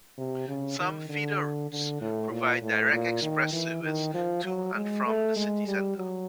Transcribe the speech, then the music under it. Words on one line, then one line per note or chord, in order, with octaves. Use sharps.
Some feeder routes provide direct express service to and from the city centre.
C3
C#3
D#3
D3
D3
A2
A#2
A2
A#2
D#3
E3
D#3
F3
F#3
G#3
A3
G#3
G3
F#3